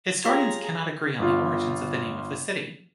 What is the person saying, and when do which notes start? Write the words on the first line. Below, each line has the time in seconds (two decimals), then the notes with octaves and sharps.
Historians cannot agree on the origins of the name of the city.
0.24 F4 G4 G#4 C#5 F5 G5 A#5 B6
1.19 G1 F4